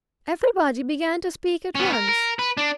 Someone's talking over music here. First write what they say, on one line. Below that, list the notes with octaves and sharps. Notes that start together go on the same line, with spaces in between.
Everybody began to speak at once.
B3 C#4
A#4
A#4
B4
D4